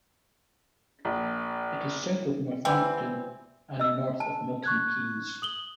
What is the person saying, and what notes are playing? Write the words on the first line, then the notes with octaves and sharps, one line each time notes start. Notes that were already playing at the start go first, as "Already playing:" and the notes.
It is south of Northampton and north of Milton Keynes.
A#1
E3 G3 C4
D#5 E6
A5
C#6 F#6 G#6
D#6 F#7 G7